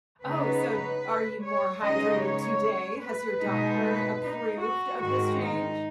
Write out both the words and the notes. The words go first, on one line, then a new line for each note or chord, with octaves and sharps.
Oh, so d are you more hydrated today? Has your doctor approved of this change?
C#3 B3 D#4 B4
C#5
C#3 G#3 B3 D#4 D#5
C#5
B4
B2 G#3 B3 D#4
B4
D#4
F#4
G#2 D#3 G#3 F#4
D#4